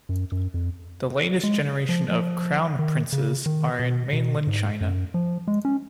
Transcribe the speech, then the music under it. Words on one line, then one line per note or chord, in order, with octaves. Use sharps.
The latest generation of "crown princes" are in mainland China.
F#2
F#2
F2
G#3
F3
F3
D#3
C#3
D#3
B2
B2
G#2
F#2
F3
G#3
C#4